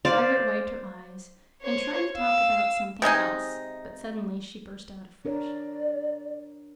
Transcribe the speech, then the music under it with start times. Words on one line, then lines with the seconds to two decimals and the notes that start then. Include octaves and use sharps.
Margaret wiped her eyes, and tried to talk about something else, but suddenly she burst out afresh.
0.05 C5 D5 F5
1.62 C5 C#5
2.15 F5 E6
3.02 C3 G#3 D#4 G#5
5.25 D4 A#4 C#5 D5